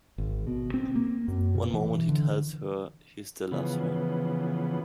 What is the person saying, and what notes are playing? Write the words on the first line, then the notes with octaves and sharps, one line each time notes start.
One moment he tells her he still loves her.
G#1
B2
C4
A#3
F#2
B2
E3
D3
C#3 E3 F3 B3